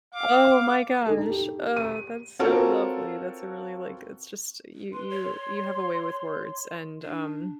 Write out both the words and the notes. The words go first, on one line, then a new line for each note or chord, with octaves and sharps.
Oh my gosh. Oh, that's so lovely, that's a really like it's just you you you have a way with words and, um
F5 D6
D#4 A4
G4
D#7
C4 F4 F#4 A4 A#4 C#5
B4 C6
C#5
D4